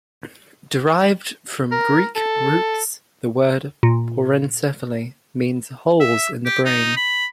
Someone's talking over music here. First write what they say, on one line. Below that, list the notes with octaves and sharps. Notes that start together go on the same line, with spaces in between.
Derived from Greek roots, the word "porencephaly" means 'holes in the brain'.
A#4
A4
A#2
E5
G4
D#4
B5